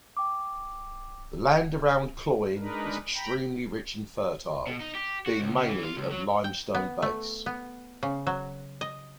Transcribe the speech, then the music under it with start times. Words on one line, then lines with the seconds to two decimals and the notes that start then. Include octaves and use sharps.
The land around Cloyne is extremely rich and fertile, being mainly of limestone base.
0.17 G5 D6
2.56 G#3 D4 D#4 A#4 B4
3.15 G5 A#5 B5
4.67 B2
4.80 D#4
4.95 G4
5.26 F#4
5.40 C#2
5.56 C#3
5.68 E3
5.83 F4
5.97 C#2
6.11 F#3
6.44 G5
6.75 B3
7.02 A3
7.46 B3
8.03 C#3
8.27 F#3
8.81 D#5